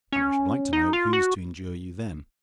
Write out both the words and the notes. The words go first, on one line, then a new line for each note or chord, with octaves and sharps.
And I should like to know who's to endure you then?
C#4
D#4
F4
F#4